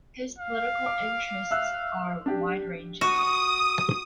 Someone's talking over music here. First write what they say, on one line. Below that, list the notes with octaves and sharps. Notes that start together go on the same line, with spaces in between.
His political interests are wide-ranging.
F5
D6
E5 E6 F#6
D4 G4
F#4 D#6